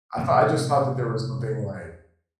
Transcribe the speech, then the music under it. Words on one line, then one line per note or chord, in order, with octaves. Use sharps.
I thought I just thought that there was something like
A2 C3 F3 A#3